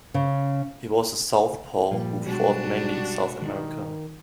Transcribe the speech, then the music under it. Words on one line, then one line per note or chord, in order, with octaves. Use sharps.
He was a southpaw who fought mainly in South America.
C#3
A#2 F3 G3 A#3
B2 F#3 G#3 D4 F#4
D#3